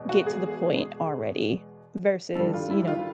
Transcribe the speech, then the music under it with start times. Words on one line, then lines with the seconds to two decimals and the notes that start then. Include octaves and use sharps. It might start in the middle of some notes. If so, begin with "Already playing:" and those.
"Get to the point already," versus, you know,
Already playing: E2 B2 G#3
0.09 F#4
0.26 G#4
2.35 G2 D#3 G3 A4
2.54 F4
2.71 E4
2.87 F4